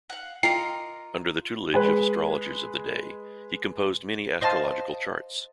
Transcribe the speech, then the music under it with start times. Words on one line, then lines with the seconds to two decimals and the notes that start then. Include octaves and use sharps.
Under the tutelage of astrologers of the day, he composed many astrological charts.
0.10 F5 F#5
0.43 F4 A#4 D#5 G5 A#5 D6 C7
1.74 G#3 G#4 B4
4.41 C5 D#5 F5 A5 C6